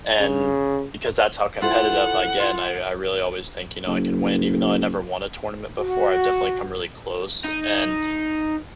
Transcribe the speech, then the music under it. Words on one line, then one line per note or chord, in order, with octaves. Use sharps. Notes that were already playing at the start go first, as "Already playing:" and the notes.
and because that's how competitive I get, and I I really always think, you know, I can win. Even though I never won a tournament before, I've definitely come really close and,
C#3
E4 F4 A4 C5 F#5
F4
F#1
F#4
D#4